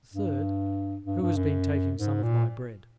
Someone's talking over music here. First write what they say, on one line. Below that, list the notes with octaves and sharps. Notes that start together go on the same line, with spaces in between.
The third, "Who has been taking some of my bread?"
G2
G2
G2
F#2
G#2
A#2